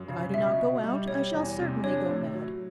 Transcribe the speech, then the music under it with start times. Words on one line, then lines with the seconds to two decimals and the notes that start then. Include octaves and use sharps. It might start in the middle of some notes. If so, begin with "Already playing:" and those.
If I do not go out, I shall certainly go mad.
Already playing: F#2
0.08 C#3
0.34 B2 E5
0.58 B2
0.84 G3
1.08 G3 C#5
1.34 E2
1.59 C3
1.83 D4 C#5
2.08 A2
2.34 F#3